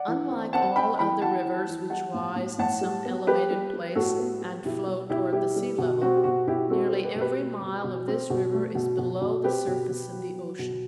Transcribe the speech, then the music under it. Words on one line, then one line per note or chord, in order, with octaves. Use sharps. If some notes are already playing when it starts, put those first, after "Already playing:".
Unlike all other rivers which rise in some elevated place and flow toward the sea level, nearly every mile of this river is below the surface of the ocean.
Already playing: D5 F#5
E3
C4
C4 F#5 A5
C4 G5 B5
E3 G5 B5
E3 F#5 A5
E3
E3
G3 F#5 A5
A2
A2
A2 F#5 A5
G3
B3
G3 G4 B4
G3
G3
A2 F#4 A4
B3
G3
B2 E4 G4
G3
B2 E4 G4
G3 E4 G4
G3
B2
C4 F#4
G4
B2 F#4
B2 E4 G4
C4 F#4 A4
A4 C5
G3
G4 B4
B2
G4 B4
A3
B2
B2
C4
B2
A3
B2
B2
B2
C4 G4 B4
B2
B2
F#3
F#3
B2